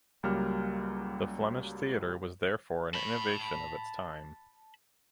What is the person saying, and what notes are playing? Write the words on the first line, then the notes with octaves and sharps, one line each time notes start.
The Flemish theatre was therefore an innovation of its time.
C#2 F#3 G3 A#3 F6
A5 B5